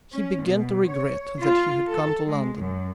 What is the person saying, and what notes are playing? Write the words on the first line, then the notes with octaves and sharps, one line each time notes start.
He began to regret that he had come to London.
C#4
B2
C#5
F4
A4
G#3
F#2